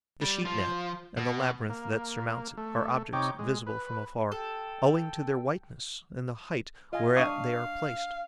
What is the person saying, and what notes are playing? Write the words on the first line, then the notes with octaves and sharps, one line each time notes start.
The sheet-net and the labyrinth that surmounts it are objects visible from afar, owing to their whiteness and the height whereat they are placed.
G3
F3
B2
A#3
A3
C3 D#4 C#5 G5 D6
G#3
B4
A4 G5
F4 D#5 G#5
D4 F5 C#6 D#6